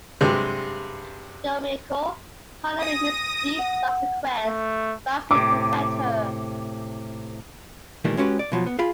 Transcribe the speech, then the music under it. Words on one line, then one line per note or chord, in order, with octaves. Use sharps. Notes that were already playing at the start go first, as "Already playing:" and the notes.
Yomiko, honoring Miss Deep's last request, vows to protect her.
G2 C3 F#3 G#3
G#5 D#6 A#6
F#5
A3
A2 C3 D6
A#2 D#3 E3 G3 A3 A#3
G#3 C#4 F#4 G4 B4
D5
B2 F3 F#3
B3
F4 G#4 F5 B5